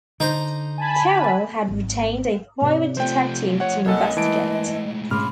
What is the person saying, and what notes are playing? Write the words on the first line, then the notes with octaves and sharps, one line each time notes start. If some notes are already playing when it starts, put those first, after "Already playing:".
Carroll had retained a private detective to investigate.
D3 D#4 C5 A#5
G#5 A5 B5
G#1
C3 C#5 D5
F3 A3 C5 G5
C#5 F#5
C2 A#3 A4 C#5 D#5 F#5 G#5
A2 E3 G#3 A5 D7
C#3 B5 C6 D6 F6